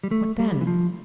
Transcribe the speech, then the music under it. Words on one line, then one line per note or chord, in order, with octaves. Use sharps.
"What then?"
G3
A3
G3
E3
F3